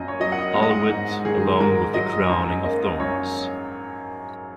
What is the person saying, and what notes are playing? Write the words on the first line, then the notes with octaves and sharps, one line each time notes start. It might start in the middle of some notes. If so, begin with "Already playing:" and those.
Olivet, along with the crowning of thorns.
Already playing: F#2 A#3 D#5
C#5
F#3 D#5
F#5
G#3 F#5
D#5
F#5
G#2
D#3 G#4
G#2 A#4
F#3 D#5
F#2 D#5
A#3 D#5
F#2 C#5